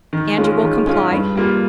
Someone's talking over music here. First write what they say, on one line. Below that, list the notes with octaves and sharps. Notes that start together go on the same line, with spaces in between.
"And you will comply?"
D#3
G#3 C#4 F4
D#3
G#3 C#4 F4
G2
G3 A#3 F4